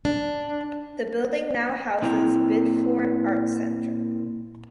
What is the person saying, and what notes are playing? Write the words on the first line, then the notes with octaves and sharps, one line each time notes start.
The building now houses Bideford Arts Centre.
D4
A#2 C4 E4 G5 A#5